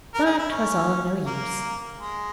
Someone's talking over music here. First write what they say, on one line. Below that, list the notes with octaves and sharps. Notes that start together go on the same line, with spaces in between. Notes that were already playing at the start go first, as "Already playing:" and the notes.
But 'twas all of no use.
A#4
G#4
E4
C#4
A#3
G#3